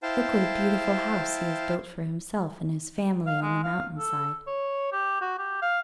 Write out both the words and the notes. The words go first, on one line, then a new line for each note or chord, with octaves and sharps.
Look what a beautiful house he has built for himself and his family on the mountain-side.
E4 C5 F5 G5 A5
F5
G#3
F5
A4
C#5
G4
F#4
G4
F5